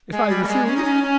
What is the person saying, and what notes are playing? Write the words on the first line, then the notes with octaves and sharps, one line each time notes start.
"If I refuse?"
G#3
G3
A#3
G#3
C#4
D#4
C#4
C#4